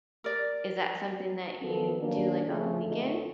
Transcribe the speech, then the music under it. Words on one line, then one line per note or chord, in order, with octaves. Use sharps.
is that something that you do, like, on the weekend?
A#4 D5
D#3 F3 B3 A4 B4
D#3 F#3 A#3 C#4 D4
C#3 F3 A3 G#4 A4
F#2 D3 A3 D#4